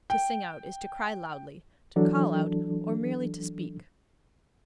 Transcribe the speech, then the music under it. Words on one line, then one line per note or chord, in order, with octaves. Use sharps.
To sing out is to cry loudly, to call out, or merely to speak.
G5
E3 F#3 D4 A4